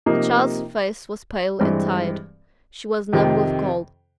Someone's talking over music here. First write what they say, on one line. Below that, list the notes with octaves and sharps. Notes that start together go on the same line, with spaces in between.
The child's face was pale and tired, she was numb with cold.
C3 F3 A#3 D#4
G2 E3 G#3 C4
F2 C3 D#3